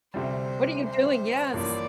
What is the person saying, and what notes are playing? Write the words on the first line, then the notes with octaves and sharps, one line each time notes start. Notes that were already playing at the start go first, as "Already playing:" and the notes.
What are you doing? Yes.
D2 C3 G3 C5
C5
A1 G2 F3 A#3 D5